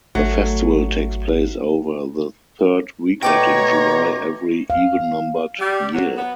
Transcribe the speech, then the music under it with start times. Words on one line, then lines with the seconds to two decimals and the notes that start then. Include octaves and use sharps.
The festival takes place over the third weekend in July every even-numbered year.
0.15 G#1 F#3 A3
3.23 B2 A3 C#5 D5 G5 A#5
4.70 F5
5.58 G3
5.94 F#3
6.16 B3